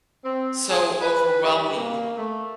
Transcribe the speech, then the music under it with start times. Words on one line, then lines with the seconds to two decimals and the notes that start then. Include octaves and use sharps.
so overwhelming
0.24 C4
0.68 G#4
1.00 B4
1.42 G2
1.76 A#3
2.17 A3